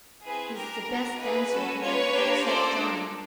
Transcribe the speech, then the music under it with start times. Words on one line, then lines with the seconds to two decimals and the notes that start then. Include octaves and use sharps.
"He's the best dancer here, except Johnny."
0.25 C4 E4 G#4 B4
0.56 D4 G4 A#4
0.87 B3 D4 F#4
1.18 A#3 D#4 G#4 B4
1.50 C#4 F#4 A4
1.81 A#3 C#4 F4 B4 C#5
2.12 A#3 D4 G4
2.43 A#3 C#4 F4 A4 C5 D5
2.75 A#3 D4 F4 A4